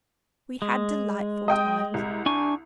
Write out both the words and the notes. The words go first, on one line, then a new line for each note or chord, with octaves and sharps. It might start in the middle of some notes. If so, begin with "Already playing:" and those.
We had delightful times.
G#3
D#5 G5 D#6
C2
D4 G#5 C#6